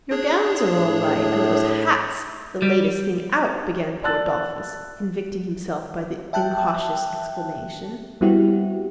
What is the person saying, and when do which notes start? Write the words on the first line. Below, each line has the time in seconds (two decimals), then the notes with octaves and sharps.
Your gowns are all right, and those hats the latest thing out,' began poor 'Dolphus, convicting himself by the incautious exclamation.
0.11 D4 G#4 C#5
0.77 A2
2.62 G3
4.03 D5 A5 E6 F#6 A6
6.33 E5 G5 A5 F#6
8.21 G3 B3 C4 E4 F#4 G4